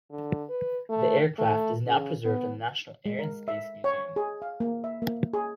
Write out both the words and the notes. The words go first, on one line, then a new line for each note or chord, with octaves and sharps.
This aircraft is now preserved in the National Air and Space Museum.
D3
B4
A3
A3
C#3
B3
G#3
A#4
E5
C#5
G#4
F5
A#3
E5
A#3
G#4